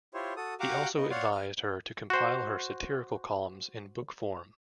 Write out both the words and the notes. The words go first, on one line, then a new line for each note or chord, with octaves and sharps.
He also advised her to compile her satirical columns in book form.
E4 F4 G4 C5 C#5
F#4 A4 D#6
F#4 G4 F5 F#5 A#5 D6
B3 D#4 D#5
C#5 D5 F5 F#5 C6
F6
F#4 C5